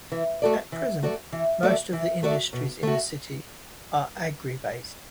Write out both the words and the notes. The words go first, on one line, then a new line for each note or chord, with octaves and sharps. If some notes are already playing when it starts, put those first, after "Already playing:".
At present, most of the industries in the city are agri-based.
E3
A3 F#4 A4 D5
E3
A3 F#4 A4 D5
E3
A3 F#4 A4 D5
E3
A3 F#4 A4 D5
B2
A3 F#4